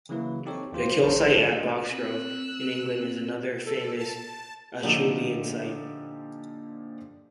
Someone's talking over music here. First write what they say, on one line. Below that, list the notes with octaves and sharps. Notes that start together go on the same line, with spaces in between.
The kill site at Boxgrove in England is another famous Acheulean site.
C#3 E3 F#3 A#3 E4 B4
C4 D#4 G4 A4 C#5
D#2 F3 F4 G4 C5
A1 F#3 A#4 C5 A5
C2 G#2 D3
A3 D4 F4 A4 D#5
C4 E6 F#6
A4
A5
A#2 D3 F3 D#4 G4 A4